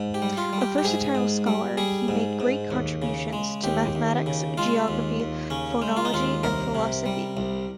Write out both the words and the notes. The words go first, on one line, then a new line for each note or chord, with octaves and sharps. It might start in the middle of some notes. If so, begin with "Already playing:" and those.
A versatile scholar, he made great contributions to mathematics, geography, phonology and philosophy.
Already playing: G#2
G4
G3
F4
G3
G4
G4
G#2 G#4
G#2
G3
G3 G#4
G#2
G#2
D#2
C#3
G#3
D#2 G4
D#2
C#3
G#3 F4
D#2
D#2
C#3 C#4
G#3
F4
D#4
D#2 F4
C2 A#4
C3
G3
C2